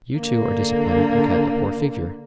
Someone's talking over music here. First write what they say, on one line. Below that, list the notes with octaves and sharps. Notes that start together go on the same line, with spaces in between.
You, too, are disappointed and cut a poor figure.'
D3 A#3